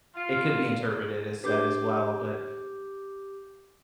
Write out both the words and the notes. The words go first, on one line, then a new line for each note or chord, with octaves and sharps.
it could be interpreted as set as well. But,
F4
D4 G4 G#4 B4 D6 G6